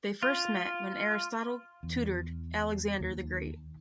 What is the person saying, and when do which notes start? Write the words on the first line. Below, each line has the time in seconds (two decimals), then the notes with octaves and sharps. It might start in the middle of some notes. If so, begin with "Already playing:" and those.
They first met when Aristotle tutored Alexander the Great.
0.23 F4
1.83 E2
3.00 D#2